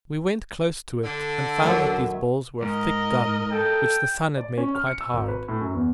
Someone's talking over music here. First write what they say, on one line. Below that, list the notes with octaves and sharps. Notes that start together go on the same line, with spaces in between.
We went close to it, and found that these balls were of thick gum, which the sun had made quite hard.
D3
D#2 F#3 E5
G#2 A#4 D#5
A4 G5
D5
C#4
F6
C#7
E6
G#1
B4
A2
F#2
E2